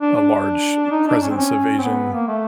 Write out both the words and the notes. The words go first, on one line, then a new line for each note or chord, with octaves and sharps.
a large presence of Asian,
D4
D4
D#4
D4
C#4
C4
C#4
C4
B3
A#3
A3